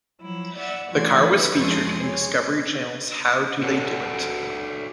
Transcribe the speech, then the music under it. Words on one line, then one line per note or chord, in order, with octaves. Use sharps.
The car was featured in Discovery Channel's How Do They Do It?
F3 F#3 E4
D5 E5 F#5
E3 A3 F#4 D5 C6 G#6
B4
F2 G#3 A4 C#5 C6 D#6
G#4 C#5
F#4 A4 C#5 D5 F#5